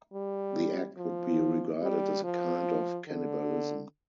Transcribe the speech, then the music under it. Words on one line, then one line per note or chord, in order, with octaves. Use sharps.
The act would be regarded as a kind of cannibalism.
G3
F3
G3
F3
D3